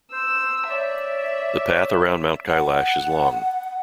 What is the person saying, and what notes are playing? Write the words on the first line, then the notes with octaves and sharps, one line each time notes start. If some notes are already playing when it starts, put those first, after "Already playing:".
The path around Mount Kailash is long.
C5 E6
C#5 D5 E5
F#5